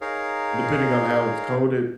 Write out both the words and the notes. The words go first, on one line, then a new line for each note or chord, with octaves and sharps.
depending on how it's coded
D#4 G#4 A#4 C#5 F5